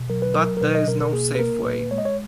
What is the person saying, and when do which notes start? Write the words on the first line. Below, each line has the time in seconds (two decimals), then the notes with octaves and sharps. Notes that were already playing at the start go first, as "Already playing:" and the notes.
But there is no safe way.
Already playing: B2
0.10 F#3 A#4
0.22 B4
0.34 F#3 A#4
0.57 A#4
0.61 B2 B4
0.75 D#5
0.87 B2 A#4
1.00 A#4
1.13 A#3 G#4
1.35 B4
1.39 A#3 A#4
1.65 A#2 B4
1.91 G#3 C#5
1.98 D#5
2.05 C#5